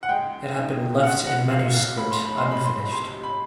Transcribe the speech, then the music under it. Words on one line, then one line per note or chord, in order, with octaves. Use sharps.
It had been left in manuscript, unfinished.
F#5
G#3 G5
D#4
G#3 F#5
F#5
B2 F5
F5
A2 B5
C6
B5
C6
G#3
B5
C6
B5
C3 C6
B5